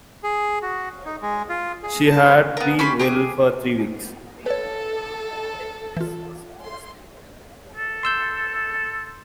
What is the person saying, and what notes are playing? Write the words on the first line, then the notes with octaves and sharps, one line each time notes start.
She had been ill for three weeks.
G#4
F#4
D#4
G#3
F4
G#4
A5
C5
B3 A#4
C#4 G4 B5 C6
G4 G#4 D6
A4 B4 C#5
E3 F4
C6
A4
C6 E6 G6